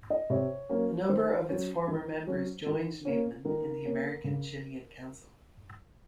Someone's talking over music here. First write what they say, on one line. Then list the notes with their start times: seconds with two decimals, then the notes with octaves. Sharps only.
A number of its former members joined Liebman in the American-Chilean Council.
0.10 D#5
0.30 C3 C#5
0.69 F#3 A#3 C#4
1.09 D#3 C5
1.49 F#3 C#4
1.88 D#3
2.27 F#3 C#4
2.66 D#3
3.05 A#3 C#4
3.45 D#3 A#4
3.85 A#3 C#4
4.24 C#3